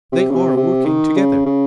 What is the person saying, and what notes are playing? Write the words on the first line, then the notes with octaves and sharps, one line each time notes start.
They are working together.
C3
C#3
C3
C3
D#3
C#3
C#3